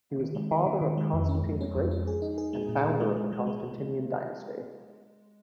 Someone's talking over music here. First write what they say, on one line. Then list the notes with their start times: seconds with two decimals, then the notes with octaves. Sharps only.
He was the father of Constantine the Great and founder of the Constantinian dynasty.
0.19 D#3
0.35 G#3
0.51 D#3
0.66 D#3
0.81 D#3
0.98 G#3
1.13 F2
1.29 C#4
1.44 F2
1.61 C#4
1.76 F2
1.91 C#4
2.07 G#4
2.22 D#4
2.38 G#4
2.53 G#3
2.69 A#2
2.84 A#2
3.00 G#3
3.16 G#3
3.32 G#3
3.47 G#3
3.64 G#3
3.78 G#3